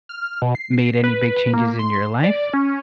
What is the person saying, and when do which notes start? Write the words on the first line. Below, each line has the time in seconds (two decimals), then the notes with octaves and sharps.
made any big changes in your life
0.09 F6
0.42 B2
0.55 C7
1.04 B4
1.53 A#3
1.79 C6
2.24 D5
2.53 C#4